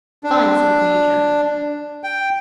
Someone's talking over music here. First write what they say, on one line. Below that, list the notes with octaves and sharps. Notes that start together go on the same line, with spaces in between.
"Fine," said the Major.
D4
G5